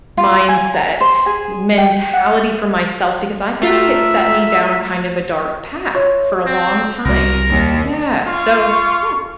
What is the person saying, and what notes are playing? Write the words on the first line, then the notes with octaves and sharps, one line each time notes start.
mindset, y mentality for myself, because I feel like it set me down kind of a dark path for a long time. Yeah, so Yeah.
F4
G#5
A#5
C5
G#4
G5
F#5
A3 F4 E5 A#5
F4 C#5 E5
C4
C2 G3 E4 F#4 A#4 D5
D#2
F4 C#6